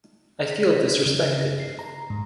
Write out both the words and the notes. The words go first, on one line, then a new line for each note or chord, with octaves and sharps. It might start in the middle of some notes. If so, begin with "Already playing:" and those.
I feel disrespected.
B6
C#3
C7
A#5
G#2